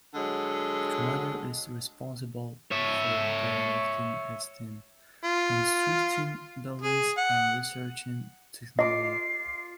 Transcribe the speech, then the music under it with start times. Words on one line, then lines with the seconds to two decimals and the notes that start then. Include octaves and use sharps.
A commander is responsible for directing his team, constructing buildings and researching technology.
0.15 D3 F#3 G#3
2.72 C#5 E5
5.24 F4
6.82 G#4
7.18 F#5
8.79 F4 D#5 D6 C7